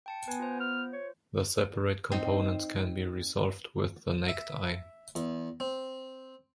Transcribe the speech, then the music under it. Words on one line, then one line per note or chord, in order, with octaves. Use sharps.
The separate components can be resolved with the naked eye.
G5 A5 C#7
B3 B4 G#5
F4 C5
F6
C#5
C4 D#4
E5
E2
C4